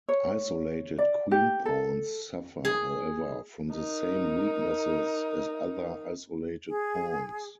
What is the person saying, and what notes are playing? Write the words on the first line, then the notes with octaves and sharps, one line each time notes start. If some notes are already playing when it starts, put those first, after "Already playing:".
Isolated queen pawns suffer, however, from the same weaknesses as other isolated pawns.
C#5
D5
G4
A4
G#4
D#4 A#4
G#4